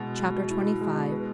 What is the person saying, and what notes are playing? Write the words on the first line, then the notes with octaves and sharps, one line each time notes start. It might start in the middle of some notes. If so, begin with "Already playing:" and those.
Chapter XXV.
Already playing: B2 G#3 B3 E4
G#3
E4
G#3
B4